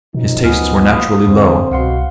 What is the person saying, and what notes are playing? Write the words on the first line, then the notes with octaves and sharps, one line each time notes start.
His tastes were naturally low.
F#2 B2 F3 D#4
D2 B3 G#5 F6
A#3 F5 D#6
E2 D3 C4 C5
C2 B2 F5 F#5 C6